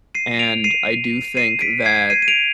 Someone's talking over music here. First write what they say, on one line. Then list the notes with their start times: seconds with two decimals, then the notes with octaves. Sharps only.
and I do think that,
0.15 C7 D#7
0.39 D7 F7
0.64 C7 D#7
1.37 C7 D#7
1.61 B6 D7
1.86 G#6 C7
2.10 C7 D#7
2.22 D#7
2.28 D7 F7